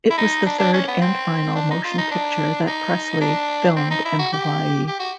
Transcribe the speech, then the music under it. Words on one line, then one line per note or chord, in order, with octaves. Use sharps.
It was the third and final motion picture that Presley filmed in Hawaii.
E4
D#4
D4
D4
C#4
B3
C4
D4
D#4
F4
D#4
D4
D#4
D4
C4
D#4
E4
F#4
G4
G4
F#4